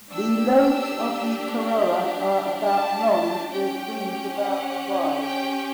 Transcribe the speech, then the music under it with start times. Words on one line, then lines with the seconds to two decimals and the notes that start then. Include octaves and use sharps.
The lobes of the corolla are about long with wings about wide.
0.10 D4 G4 E6
2.65 A5
3.51 C#4 G4 G5
4.36 F#5
5.21 G5